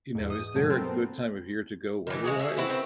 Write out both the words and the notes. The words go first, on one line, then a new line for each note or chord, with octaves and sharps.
you know, is there a good time of year to go weather wise?
E2 G#2
D#6
G2 B2 F#3 G#3 A3
B3 C4 A4 A#4
D#3 E3
G#3 F#4 G#4
E4 G#4 E5
C4 E4 F#4 B4
D#3 C4